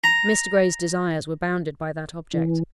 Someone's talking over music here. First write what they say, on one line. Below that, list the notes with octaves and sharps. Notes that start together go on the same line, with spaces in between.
Mr. Gray's desires were bounded by that object.
A#5
E3